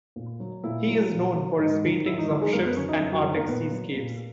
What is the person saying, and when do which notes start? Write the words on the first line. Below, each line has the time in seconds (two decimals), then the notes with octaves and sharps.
He is known for his paintings of ships and Arctic seascapes.
0.16 A#2
0.40 F#3
0.64 A#2 E4
0.87 F#3
1.11 A#2
1.35 F#3
1.58 G#2 D#4
1.82 D#3 F#3
2.06 G#2 E4
2.18 D#4
2.29 D#3 F#3 E4
2.41 G#3 G#4
2.53 F#2 A#3 A#4
2.65 B3 B4
2.77 D#3 F#3 C#4 C#5
2.88 D#4 D#5
3.00 F#2 E4 E5
3.12 F#3 F#4
3.24 D#3 F#3 F#4
3.36 A#3 A#4
3.48 A#2 B3 B4
3.72 F#3
3.95 A#2